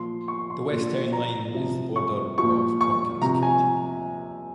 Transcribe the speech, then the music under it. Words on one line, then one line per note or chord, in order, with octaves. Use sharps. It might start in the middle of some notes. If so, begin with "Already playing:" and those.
The west town line is the border of Tompkins County.
Already playing: A#2 F3 C6
C#6
C6
A#2 F3
A#5
C3 F3
C#6
A#2 F3 C#6
C#6
C3 F3 A#5
G#5